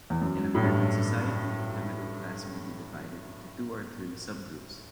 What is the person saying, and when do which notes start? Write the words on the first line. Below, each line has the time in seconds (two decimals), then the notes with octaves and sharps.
In American society, the middle class may be divided into two or three sub-groups.
0.10 E2
0.22 F#2
0.55 A2
0.63 G2